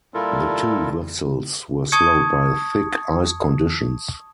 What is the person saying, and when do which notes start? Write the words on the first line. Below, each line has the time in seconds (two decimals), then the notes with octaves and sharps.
The two vessels were slowed by thick ice conditions.
0.14 A#2 G3 E4 F4 A4 A#4
1.92 A5 C#6 D#6 G#6 C#7